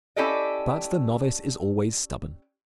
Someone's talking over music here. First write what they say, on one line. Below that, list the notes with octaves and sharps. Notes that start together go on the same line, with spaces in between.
But the novice is always stubborn.
C#4 E4 G4 A4 D5 D#5